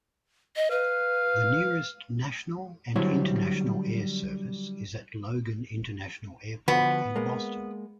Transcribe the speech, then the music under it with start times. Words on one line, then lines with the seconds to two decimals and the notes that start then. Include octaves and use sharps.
The nearest national and international air service is at Logan International Airport in Boston.
0.56 D#5
0.71 B4 F5
2.96 D3 F#3 G3 E4 C5 C#5
6.68 D3 F3 B3 F#4
7.16 G#3 A#3